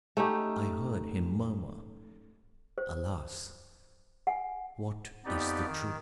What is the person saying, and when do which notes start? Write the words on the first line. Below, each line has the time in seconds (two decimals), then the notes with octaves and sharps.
I heard him murmur, "Alas! what is the Truth?"
0.17 A3 C#4 D#4 G4
2.78 C5
4.27 F#5 G#5
5.25 F2 B3 D#4 G4 D5
5.67 D#3